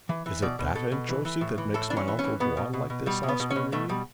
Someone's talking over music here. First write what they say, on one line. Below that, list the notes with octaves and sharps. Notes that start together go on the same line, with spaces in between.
'Is it that, Aunt Josey, that makes my uncle go on like this?' asked Marie.
E3
E3
B2 D5
B2
B2 A4
B2
E3
E3
A2
E3
A2 A4
E3 D4
C#4
E3
C#4
E3
B2 B3
B2
B2
B2
B2 G3
B2
B3
B2
C#4
B2
B2 A3
B2 G3